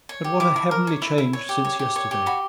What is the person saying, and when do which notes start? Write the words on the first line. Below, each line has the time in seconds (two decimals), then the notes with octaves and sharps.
But what a heavenly change since yesterday!
0.09 C#5
0.24 G4
0.40 E4 D6
0.56 E4
0.71 A#4
0.87 C#5
1.02 E4
1.18 E4
1.33 C#5
1.49 G4
1.65 C#5
1.79 G4
1.96 C#5
2.11 G4
2.26 F#4 B5